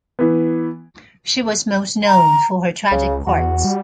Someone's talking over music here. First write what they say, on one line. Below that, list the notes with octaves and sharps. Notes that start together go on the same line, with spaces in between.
She was most known for her tragic parts.
E3 B3
A#5
C#2 C#3
E2 F#4
G3